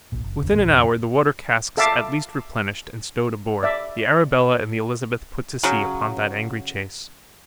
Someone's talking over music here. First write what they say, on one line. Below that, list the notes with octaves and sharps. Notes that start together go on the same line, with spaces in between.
Within an hour, the water-casks at least replenished and stowed aboard, the Arabella and the Elizabeth put to sea upon that angry chase.
A#1 A#2
F#1
F#1 E2 D3
D1 A#1 A#2 D#3
F2 C#3
A4 E5 F5 A5 D6
D5 E5
C#3 F#3